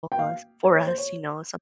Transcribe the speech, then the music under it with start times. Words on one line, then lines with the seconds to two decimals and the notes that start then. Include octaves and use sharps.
us for us, you know, as some
0.12 G5
0.19 F5
0.64 C#5
0.75 C#5
0.87 C5
0.98 C#5